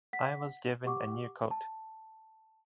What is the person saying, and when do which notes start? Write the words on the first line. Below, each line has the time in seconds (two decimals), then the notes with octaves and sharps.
I was given a new coat.
0.13 F#5 B6
0.85 G4 F#5 C#6 D6
1.51 A5